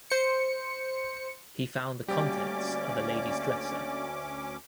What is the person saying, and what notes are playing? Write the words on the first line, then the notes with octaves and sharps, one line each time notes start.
He found the contents of a lady's dresser.
C5 C#7
D2 F#3 G3 A#3 C#4 G4 D5 D6